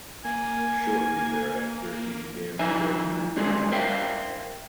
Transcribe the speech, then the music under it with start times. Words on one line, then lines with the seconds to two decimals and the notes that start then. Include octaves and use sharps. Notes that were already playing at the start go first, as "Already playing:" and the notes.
Shortly thereafter, he began his own recording career.
0.25 A#3 G#5
2.59 F3 D#4 E4 E5 G#5
3.36 D3 G3 G#3 C4 G#4
3.72 A#4 C5 E5 F5 G5